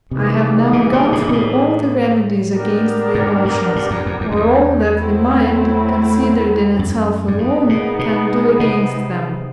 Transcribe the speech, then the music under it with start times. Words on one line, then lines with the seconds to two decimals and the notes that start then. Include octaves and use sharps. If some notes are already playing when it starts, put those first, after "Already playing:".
I have now gone through all the remedies against the emotions, or all that the mind, considered in itself alone, can do against them.
0.11 C3 E3 G3 A#3 D#4 G#4
0.73 B2
0.93 A#2
1.12 A2
1.29 A#2
1.32 A2
2.54 B3 D4 G4 A#4
3.15 G#2
3.45 G2
3.76 G2
3.91 F2
4.06 F2
4.21 E2
4.32 F2
4.36 E2
4.96 F#3 A3 C4 E4
6.79 F#2
7.28 G#2
7.38 G2 B3 D#4 G#4
7.69 A#2
7.99 B2
8.60 C3